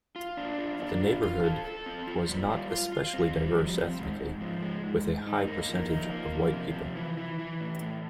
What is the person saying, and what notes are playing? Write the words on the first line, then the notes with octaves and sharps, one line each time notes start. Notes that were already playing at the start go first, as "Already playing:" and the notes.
The neighborhood was "not especially diverse" ethnically, with a high percentage of white people.
F4
D4
F4
D4
F4
F4
A4
A4
C4
F4
G3
F4
F4
F4
C4
G3
F3
C4
G#2
G#2
F3
G#3
G#2
G#2
D#4
A#3
F3
D#4
A#3
F3
C3
F3
E3
E3
E3
A2
A2